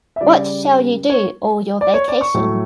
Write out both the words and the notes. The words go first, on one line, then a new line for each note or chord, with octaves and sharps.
What shall you do all your vacation?
E5
C#3 G3 D5
C#5
D5
C#5
D5
C#6
A2 F#3 A3